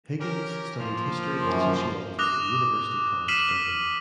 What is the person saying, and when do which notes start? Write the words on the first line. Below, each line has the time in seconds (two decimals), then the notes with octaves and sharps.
Higgins studied history and sociology in University College Dublin.
0.20 C#4 G4 A#4
0.79 F3 A#3 C6
1.42 F#2
2.19 D6 D#6 F#6 A#6 F7
3.28 F6 B6 C7 D#7 E7 F#7